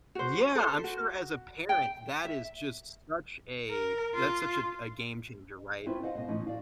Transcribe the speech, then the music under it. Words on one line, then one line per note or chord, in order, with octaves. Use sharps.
Yeah, I'm sure as a parent, that is just such a that's such a a game changer, right?
F#4 C5
A4 C5
F#4
G5
E5
A#4
F4
C4 C#4 E4 F4 B4 C5
C5 D#5 F5 F#5
B2 C5 D#5
A2 E3 F3 C#4 D#4
F#4 D5 F5